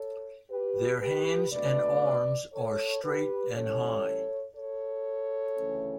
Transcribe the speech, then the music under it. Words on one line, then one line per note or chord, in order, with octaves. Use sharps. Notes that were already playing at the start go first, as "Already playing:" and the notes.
Their hands and arms are straight and high.
Already playing: A4 C#5
G4 B4
G4 B4
B2 A3 D4 B4 D5
A4 C#5
G4 B4
A2 E3 G3 C#4 A4 C#5
A4 C#5
D2 C#3 E3 A3 C#4